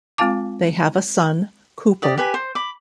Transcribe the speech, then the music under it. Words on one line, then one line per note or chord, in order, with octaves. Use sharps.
They have a son, Cooper.
G#3 C4 F4 F5 A5 D6
G4 D5 D#6
G4 B4 G#5
C5
B5 D6